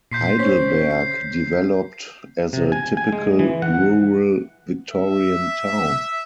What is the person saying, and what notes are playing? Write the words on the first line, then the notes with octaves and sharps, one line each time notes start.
Heidelberg developed as a typical rural Victorian town.
A#2 C6 G6 B6 C7
C#4 C5 C#5 B6
C7
C3
G#5
G#5
G#3
E3
F#5
E5